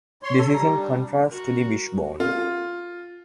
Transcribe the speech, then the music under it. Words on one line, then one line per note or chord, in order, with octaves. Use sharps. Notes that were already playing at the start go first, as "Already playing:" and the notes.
This is in contrast to the wishbone.
C#5 C6
A4
G3 A#5
D4
F#4 A#4
F4